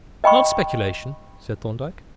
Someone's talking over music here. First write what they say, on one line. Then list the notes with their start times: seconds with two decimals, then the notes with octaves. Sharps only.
"Not speculation," said Thorndyke.
0.24 D#5 G5 B5 C#6